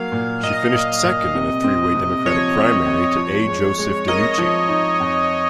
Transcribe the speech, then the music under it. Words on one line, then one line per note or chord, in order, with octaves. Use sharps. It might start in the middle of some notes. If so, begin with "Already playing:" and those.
She finished second in a three way Democratic primary to A. Joseph DeNucci.
Already playing: F#3 A#3 F5
A#2
A#2 D#5
A#2
A#2
C3
C4
C3
F3 C#5
C4
F2
F3
G#3
G#3
A#4 D#5
F3
D#4
F2